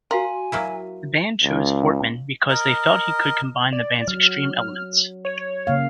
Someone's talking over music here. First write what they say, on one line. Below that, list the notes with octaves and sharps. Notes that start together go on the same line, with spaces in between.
The band chose Fortman because they felt he could combine the band's extreme elements.
F#4 A#4 F5 G#5 C6
F#3 A#3 E4
C#2
A#4 D#5
D5
F#3 F6
C#5
C#3 A#3 F5